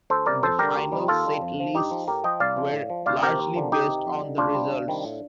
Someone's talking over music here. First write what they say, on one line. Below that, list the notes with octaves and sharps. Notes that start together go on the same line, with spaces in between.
The final set lists were largely based on the results.
D2 A4 C5
C3 G3 A#4 D5
F2 A4 C5
D3 G3 G4 A#4
D2
C3 D#3 G3
D#2 F4 A4
D#3 G3
F2
C3 F3
G2 D#4 G4
F3
A2 G4 A#4
F3 D#5 G5
C2 D5 F5
C3 F3
A2
F3
D2 D5 F5
C3 F3 G4 A#4
D#2
D3 F3
D2 D#4 G4
C3 D#3
F2
D3 G3
D2 D4 F4
C3 G3
D2
C3 D#3 G3
A2